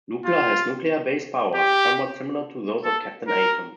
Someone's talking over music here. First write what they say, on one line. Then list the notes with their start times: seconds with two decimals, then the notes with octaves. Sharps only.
Nukla has nuclear-based powers, somewhat similar to those of Captain Atom.
0.25 F4
1.54 G4
2.84 A4
3.27 A#4